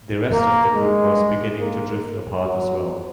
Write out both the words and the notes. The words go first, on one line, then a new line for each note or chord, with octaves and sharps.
The rest of the group was beginning to drift apart as well.
A#3
G#3
A#3
F#3